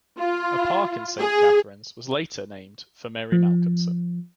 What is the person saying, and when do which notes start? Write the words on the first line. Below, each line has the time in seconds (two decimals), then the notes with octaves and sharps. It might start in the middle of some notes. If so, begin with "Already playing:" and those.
A park in Saint Catharines was later named for Mary Malcolmson.
0.19 F4
1.19 G#4
3.32 F3